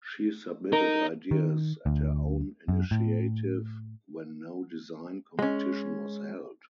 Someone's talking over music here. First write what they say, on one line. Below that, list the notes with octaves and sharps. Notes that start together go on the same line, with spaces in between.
She submitted ideas at her own initiative when no design competition was held.
D#4 A#4
D#3
D2
F#2
A2
G#3 C#4